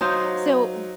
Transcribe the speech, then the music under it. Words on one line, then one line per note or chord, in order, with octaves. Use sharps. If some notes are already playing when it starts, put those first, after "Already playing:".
So, w
F#3 D#4 C5 F5